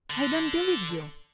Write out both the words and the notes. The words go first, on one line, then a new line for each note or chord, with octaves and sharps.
I don't believe you!
D3